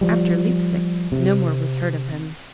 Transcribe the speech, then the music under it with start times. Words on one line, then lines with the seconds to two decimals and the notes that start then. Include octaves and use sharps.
After Leipsic no more was heard of him.
0.01 F3 G3
1.12 C3